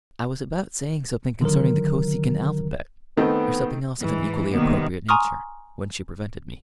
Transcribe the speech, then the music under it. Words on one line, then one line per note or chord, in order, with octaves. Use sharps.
I was about saying something concerning the Kosekin alphabet or something else of an equally appropriate nature, when she prevented me.
D3 D#3 F#3 A#4
D#3 A3 B3 C4
G#2 E3
C3 D#3 G3 A#3 B3
G#5 A#5 C6 C#6 D#6 F6